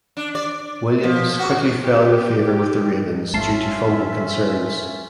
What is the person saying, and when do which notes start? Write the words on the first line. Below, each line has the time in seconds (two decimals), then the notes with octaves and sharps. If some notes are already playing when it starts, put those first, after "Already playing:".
Williams quickly fell out of favour with the Ravens due to fumble concerns.
0.17 D4
0.35 D5
1.03 F3
1.39 F#4
1.84 G4
3.33 A1 F#2 C#4 F4 E5 A5 C6